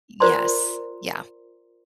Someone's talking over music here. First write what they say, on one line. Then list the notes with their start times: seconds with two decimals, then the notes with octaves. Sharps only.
Yes. Yeah.
0.20 F4 A#4 C5 D5 A#5 C6